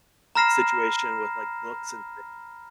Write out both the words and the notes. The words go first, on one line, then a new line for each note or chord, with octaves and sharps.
situation with, like, books and things,
A#5 B5 F6 A#6 C7 E7